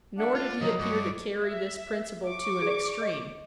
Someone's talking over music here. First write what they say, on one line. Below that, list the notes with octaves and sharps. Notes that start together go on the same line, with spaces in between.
Nor did he appear to carry this principle to an extreme.
D4 E5 F#5
F4 D5
D3 F3 F#3 D#5 A#5
G2 C#5 D6
E5
C#6 D6
G#4 D5
D#5